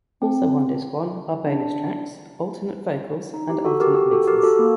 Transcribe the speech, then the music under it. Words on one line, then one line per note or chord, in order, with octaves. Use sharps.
Also on disc one are bonus tracks, alternate vocals, and alternate mixes.
C4
D4
D#4
G4
F#4 A4
G4 A#4
G4
F#4 A4
G4 A#4
F#4 A4
A#3